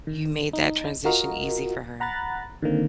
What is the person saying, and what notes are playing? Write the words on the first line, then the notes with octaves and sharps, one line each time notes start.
you made that transition easy for her,
D#3
D#4
F4 F#4 A#4 D#5
F#5 A#5 B5 F#6 A6
D3 D#3 A#3 C4